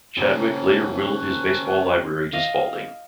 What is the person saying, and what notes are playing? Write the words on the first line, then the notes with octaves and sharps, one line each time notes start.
Chadwick later willed his baseball library to Spalding.
C#3 A#3 C4 G#4 A#4
C#6 F#6
D#5 F5